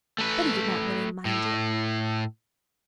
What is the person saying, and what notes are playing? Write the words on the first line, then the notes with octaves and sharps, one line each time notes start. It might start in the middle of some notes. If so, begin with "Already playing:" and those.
But he did not really mind it.
A3 B4
A2